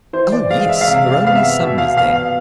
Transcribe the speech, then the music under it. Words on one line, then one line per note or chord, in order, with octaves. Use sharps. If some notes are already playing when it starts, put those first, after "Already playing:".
Oh! yes: her only son was there.
E3 C5
D5
G#3 F5
E5
F5
C3 E5
F5
B3 F5
E5
B2 E5
F5
B2 F5
F5